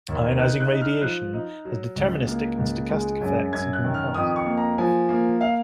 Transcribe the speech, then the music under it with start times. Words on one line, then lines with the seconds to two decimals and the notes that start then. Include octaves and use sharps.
Ionizing radiation has deterministic and stochastic effects on human health.
0.08 D#2
0.39 D#4 F#6
0.60 F#6
0.71 D#4
0.81 F6
1.02 F3 F#6
1.33 D#4
1.65 F#3
1.96 C#2
2.27 A#3
2.58 C#2
2.89 G#3
3.21 F#2
3.52 F#2 G#6
3.73 F#6
3.84 D#3
3.94 F6
4.14 F2 D#6
4.36 C#6
4.46 A#3
4.57 A#5
4.78 F3 G#5
5.09 A#3
5.41 F5